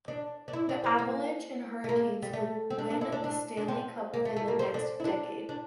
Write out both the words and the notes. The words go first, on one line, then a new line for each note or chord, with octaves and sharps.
The Avalanche and Hurricanes would win the Stanley Cup within the next decade.
D4
D4
E4
D4
C4
A#3
A3
A#3
G3
A3
C4
D4
D4
E4
D4
D4
D4
C4
A#3
A3
A3
A#3
C4
D4
E4
D4
D4